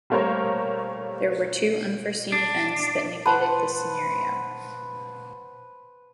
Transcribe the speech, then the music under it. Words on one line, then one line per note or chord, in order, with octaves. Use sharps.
There were two unforeseen events that negated this scenario.
G3 A3 A#3 A#4 C5 C#5
D4
B4 C5 F#5 A5